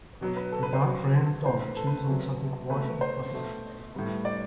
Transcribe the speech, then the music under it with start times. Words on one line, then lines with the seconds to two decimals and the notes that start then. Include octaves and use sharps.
A dark brown dog chews on something white and fluffy.
0.21 B2 F#3 B3
0.37 B4
0.52 A4
0.63 B4
0.73 C5
0.83 B2 F#3 B3
1.45 A2 E3 B3 C5
1.61 B4
1.77 A4
1.87 B4
1.97 A4
2.07 C3 F#3 B3
2.70 B2 A3 B4
3.01 C5
3.32 B2 A3
3.94 A2 G3 B3
4.25 D5